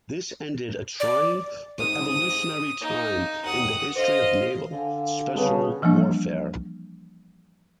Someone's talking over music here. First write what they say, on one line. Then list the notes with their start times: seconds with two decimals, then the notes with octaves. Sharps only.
This ended a trying but evolutionary time in the history of Naval Special Warfare.
1.00 D5
1.79 C2 G#2 D#6
2.81 A#3 D#4
3.45 D#2 F#5 D#6
3.95 D3 C5 D#5 F5
4.71 D3 F5 F#5 G#5
5.35 C#3 G3 B3 F5 A5 D#6
5.82 E3 F3 G3 A#3 D4